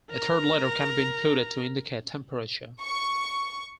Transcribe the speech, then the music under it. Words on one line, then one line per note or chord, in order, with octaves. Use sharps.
A third letter can be included to indicate temperature.
A#4 A#5
C#6